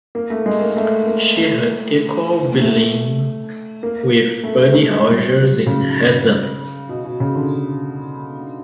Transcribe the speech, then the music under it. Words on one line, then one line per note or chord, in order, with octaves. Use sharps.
She had equal billing with Buddy Rogers in Heads Up!
A#3
A3
G#3
A#3
A3
A#3
A3
A3
A#3
A3
A3
A3
G#3
G3
F#3
C#3
B2
B2
C#3
D3